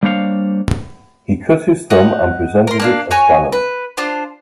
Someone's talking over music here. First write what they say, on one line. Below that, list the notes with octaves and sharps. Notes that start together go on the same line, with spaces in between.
He cut his thumb and presented it as dhanam.
G3 A#3 D4 C5 C#5 F5
D#4 F#5
A#4 C6
A#3 D4 F5
F#4 C#5 G#5 C#6
B4
D4 F4 C5